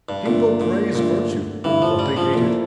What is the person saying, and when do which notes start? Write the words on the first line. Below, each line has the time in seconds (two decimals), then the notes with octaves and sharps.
People praise virtue, but they hate it.
0.09 G2
0.25 G2 A#2 D3 A3
0.61 A#2
0.95 G2 A#2 D3 A3
1.64 G2 D3 E3 A3
1.82 F3
1.99 G3
2.17 F3
2.34 A#2 F3 A#3 E4 A4 C5